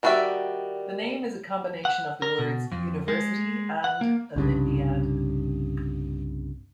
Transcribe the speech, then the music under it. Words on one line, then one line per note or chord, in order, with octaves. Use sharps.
The name is a combination of the words "University" and "olympiad".
D#3 G3 F#4 D5 E5
F#5
A#4
B2
F2
G#3
F#5
A#3
C2 G2 C#3